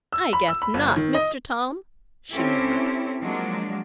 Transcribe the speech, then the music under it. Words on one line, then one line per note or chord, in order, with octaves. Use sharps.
"I guess not, Mr. Tom!" she murmured.
E6
B5
E6
B5
G1
D#3
D#5
C4 C#4 E4 G4 A4
F3 F#3 G#3 A#3 D4